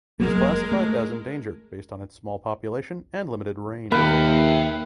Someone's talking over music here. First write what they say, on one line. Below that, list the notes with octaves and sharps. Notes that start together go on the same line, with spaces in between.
It is classified as endangered based on its small population and limited range.
E1 F#3 G#3 A#3 A#4
A3
D#2 A#3 B4 E5 G5